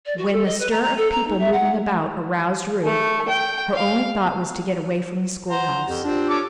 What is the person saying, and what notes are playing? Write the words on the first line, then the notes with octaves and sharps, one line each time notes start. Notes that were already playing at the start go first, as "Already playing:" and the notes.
When the stir of people moving about aroused Ruth, her only thought was to get away from the schoolhouse.
D5
F#4
A4
D#5
B4
A#5
A#5
A4
A#5
D#4
E5
F#5
A3
G5
F5
C5 F#5 A#5
F2 G4
C4 D4 F4 G4
C#4 A4 D6